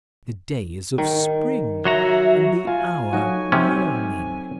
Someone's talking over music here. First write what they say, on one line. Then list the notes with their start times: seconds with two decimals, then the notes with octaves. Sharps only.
The day is of spring, and the hour morning.
0.98 D#3
1.85 F#3 F#4 E5 A#5
2.67 F4 G#5
3.13 F#3 A3 D#4 F#4
3.52 C3 C4 C#4